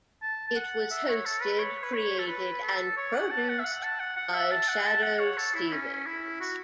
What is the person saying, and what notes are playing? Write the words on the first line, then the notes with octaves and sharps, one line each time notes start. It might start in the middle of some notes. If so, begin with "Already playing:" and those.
It was hosted, created and produced by Shadoe Stevens.
A5
A5
F#5
E5
C#5
A4
B4
C#5
B4
C#5
A4
B4
A4
C#5
F#5
A5
F#5
E5
F#5
A5
F#5
F#5
E5
A5
F#5
A5
F#5
C#5
A4
E4
C#4
E4
F#4